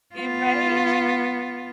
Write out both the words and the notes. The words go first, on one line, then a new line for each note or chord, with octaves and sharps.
e right, she
B3 F4